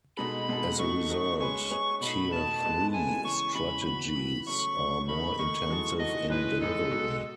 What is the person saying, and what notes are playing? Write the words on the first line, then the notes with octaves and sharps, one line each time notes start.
As a result, tier three strategies are more intensive in delivery.
B2 G#3 D#4 A4 B5
B2 G#3 D#4 A4
A3 D#4 F#4 C#6
A3 D#4 F#4
G#3 C#4 G#4 B4 C#6
G#3 C#4 G#4 B4
B2 A3 D#4 B5
B2 A3 D#4 A5
G#3 B3 E4 A4
G#3 B3 E4 A4 G#5
C#3 E3 G#3 C#6
C#3 E3 G#3 B5
E3 B3 F#4 B5
E3 B3 F#4
C#3 F#3 A3 C#6
C#3 F#3 A3
D#3 A3 D#4 B5
D#3 A3 D#4 C#6
E3 G#3 D#4 F#4 A4
E3 G#3 D#4 F#4 A4 D#5
A2 E3 G#3 D#4 B4
A2 E3 G#3 D#4 A4
B2 G#3 D#4 F#4